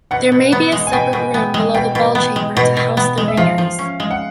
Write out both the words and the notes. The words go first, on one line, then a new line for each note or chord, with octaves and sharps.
There may be a separate room below the bell chamber to house the ringers.
B2 F#5
B2
B3
G#3
G#5
B2 G5
B2
B3
G#3
B2 G5
B2
B3
G#3
B2
B2
B3
G#3
E5
F3 F5
F3
C#4
G#3
F#5